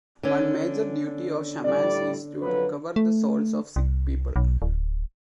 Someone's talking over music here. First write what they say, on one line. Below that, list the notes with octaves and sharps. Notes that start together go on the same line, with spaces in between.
One major duty of shamans is to recover the souls of sick people.
D3 B3 C#4
A2 G3 D5
F2 F#3 B4
A3
C2
B1
D1